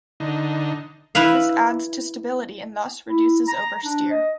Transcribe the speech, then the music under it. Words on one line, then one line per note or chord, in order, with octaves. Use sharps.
This adds to stability and thus, reduces oversteer.
D3 D#4
E4 B4 F5
E4
A#5
D4
D#5